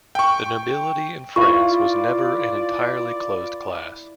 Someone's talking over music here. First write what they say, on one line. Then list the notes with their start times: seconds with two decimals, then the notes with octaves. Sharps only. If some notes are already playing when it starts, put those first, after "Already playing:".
The nobility in France was never an entirely closed class.
0.15 G5 C#6
1.36 E4 F4 B4 D5 C#6